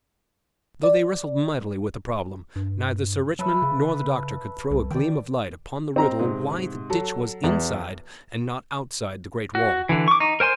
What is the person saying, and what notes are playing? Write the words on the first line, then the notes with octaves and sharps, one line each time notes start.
Though they wrestled mightily with the problem, neither Sir Richmond nor the doctor could throw a gleam of light upon the riddle why the ditch was inside and not outside the great wall.
D5
G2
F#3 A4 B4 E5
C#3
C2
D#3 D5 G5
C4 A#5
G#2 C3
F#3 A4
E2
F#4
D3 E3
C#6 D6
D#4
A#4 C5 G#5 C6